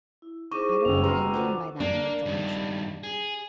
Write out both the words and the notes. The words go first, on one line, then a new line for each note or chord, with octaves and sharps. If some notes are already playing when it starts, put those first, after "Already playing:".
"I don't know what you mean by that, Lord George."
E4
D#4 E4 G#4 C5 C#6 D6 D#7
F#1 C#3 C#4 G5 E6 F7
B2 A#5 C6 F6
D3 F3 B3
A#3 D4
G2 D#3
G#4